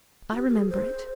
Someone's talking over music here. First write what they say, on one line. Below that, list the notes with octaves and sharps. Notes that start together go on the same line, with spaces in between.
"I remember it."
F4
G4
A#4
G#4
C5